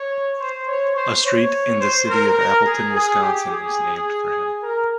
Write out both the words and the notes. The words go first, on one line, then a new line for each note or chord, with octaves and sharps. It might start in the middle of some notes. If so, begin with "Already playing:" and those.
A street in the city of Appleton, Wisconsin is named for him.
Already playing: C#5
C5
C#5
C5
C#5
C5
A#4
A#4
G#4
G#4
G4
G#4
A#4